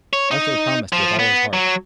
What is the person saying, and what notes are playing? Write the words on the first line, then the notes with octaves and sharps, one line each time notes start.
Arthur promised with all his heart.
C#5
D#4
F3
B3
F#3